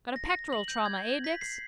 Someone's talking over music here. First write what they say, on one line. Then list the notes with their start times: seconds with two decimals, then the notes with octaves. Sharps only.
Got a pectoral trauma, eh, Dix?
0.16 A#6
0.30 A#6
0.53 F#7
0.68 G6
0.85 G#6
1.24 B6
1.41 C7